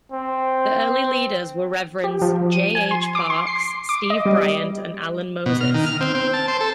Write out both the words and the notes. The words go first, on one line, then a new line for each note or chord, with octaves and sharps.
The early leaders were Reverends J. H. Parks, Steve Bryant and Allen Moses.
C4
G4
F3
D#7
G#5
C6
D6
C6
C7
D6
D#5
G3
B2
F6
D#3
F6
C4
C4
A5
C5
A4